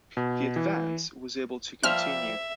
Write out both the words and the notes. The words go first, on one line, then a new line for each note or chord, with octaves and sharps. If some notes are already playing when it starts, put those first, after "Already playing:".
The advance was able to continue.
B2
E3
F3 G3 A#3 E5 F6